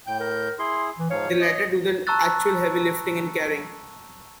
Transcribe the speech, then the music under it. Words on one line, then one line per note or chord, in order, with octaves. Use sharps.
The latter do the actual heavy lifting and carrying.
A2 G5 G6
A#4
E4 G#4 C6
E3
G#2 F3 C#5 F5
D#5
A5 A#5 C#6 E6 F#6 A6